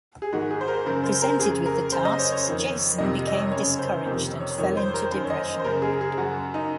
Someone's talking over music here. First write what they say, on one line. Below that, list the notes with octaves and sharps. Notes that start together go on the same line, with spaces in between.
Presented with the tasks, Jason became discouraged and fell into depression.
G#4
G#2 D#3 F#4
G#4
C5
A#4
F#2 C#3 A#4
C5
A#4
F2 C#3 G#4
A#4
F#2 C#3 C5
D#5
C#5
C#5
F2 D#3
F2 C3 D#3 D#5
D#5
C#5
F#2 C#3 C#5
C5
F2 C3 D#3
C#5
F2 D#3 C#5
C5
A#4
F#2 D#3 C5
C#5
D#5
C5
F#2 C#3 A#4
G#4
G#4
F#2 C#3 F#4
D#4